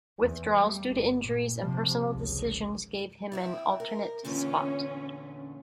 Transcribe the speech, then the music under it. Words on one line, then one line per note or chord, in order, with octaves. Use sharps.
Withdrawals due to injuries and personal decisions gave him an alternate spot.
E2
G3 A3
G1
A#2
C3 F3
G#1 C#2
C3 C4 E4
A#4
E2 A#2 D3 C#4